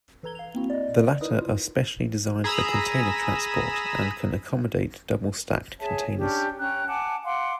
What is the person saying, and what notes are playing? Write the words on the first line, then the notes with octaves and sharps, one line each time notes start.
The latter are specially designed for container transport, and can accommodate double-stacked containers.
E3 A4 B4 A#5 G#6 G7
F5 F7
A#3 C4 E4 F#4
D5 D#5
D#4 E4 A#4 B4 D#5 D#6
F4
G#4 A#5 B5 D#6 E6
G#4 C#5 E5 A5
C#4 D4 G4
C#4 G5 A#5 F#6
F#5 G#5 A5 D6
F5 F#5 C6 D6